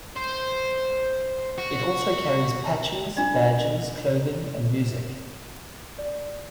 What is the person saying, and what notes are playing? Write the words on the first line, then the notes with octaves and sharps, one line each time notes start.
It also carries patches, badges, clothing and music.
C5
F#4
D4 F4 D5
D5